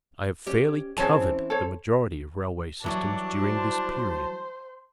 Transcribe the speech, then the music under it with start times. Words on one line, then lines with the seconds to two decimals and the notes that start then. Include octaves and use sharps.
I have fairly covered the majority of railway systems during this period.
0.47 C#4 G4
0.98 E3 C4 C#4 G#4 C#5 A5
1.50 A4 C5 C#5
2.84 E3 F#3 G3 D4 D5 A5
3.41 C5